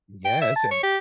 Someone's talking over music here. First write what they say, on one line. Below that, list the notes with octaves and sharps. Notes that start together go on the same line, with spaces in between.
Yes, and
G5
E5
A5
C#5
G4